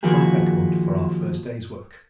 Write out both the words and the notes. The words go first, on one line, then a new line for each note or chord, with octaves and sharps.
A fine record for our first day's work.
D#3 F3 A#3 E4 F#4 G#4